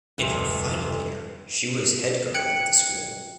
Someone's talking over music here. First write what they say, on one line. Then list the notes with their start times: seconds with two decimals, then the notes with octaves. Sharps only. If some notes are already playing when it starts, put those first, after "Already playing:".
In her final year she was head girl of the school.
0.18 F1 D2 G2 A4 C6
2.34 G5 F#6 G#6 C#7 F#7